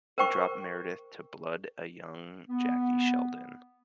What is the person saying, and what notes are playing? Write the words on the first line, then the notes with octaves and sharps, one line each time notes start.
He dropped Meredith to blood a young Jackie Sheldon.
A#4 C5 G5 C#6
B3